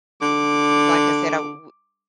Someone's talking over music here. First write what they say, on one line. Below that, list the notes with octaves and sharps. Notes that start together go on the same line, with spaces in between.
like I said, I w
D3 D6